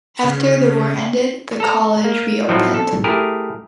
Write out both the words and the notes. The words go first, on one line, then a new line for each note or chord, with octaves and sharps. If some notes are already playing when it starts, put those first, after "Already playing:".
After the war ended, the college reopened.
C#3
A4 A#5
A#3
A2 F3 F#3 A3 C4 D#4
A4
A3 E4 G4 G#4 A#4